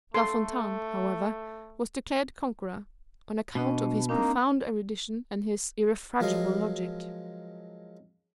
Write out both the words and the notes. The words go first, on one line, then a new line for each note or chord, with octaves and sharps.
La Fontaine, however, was declared conqueror, on account of his profound erudition and his irrefragable logic.
A3 A4 C6
B2 D4 D#5
A#3 C4 D4 D#4
F3 F#3 G#3 A#4 F5 D#6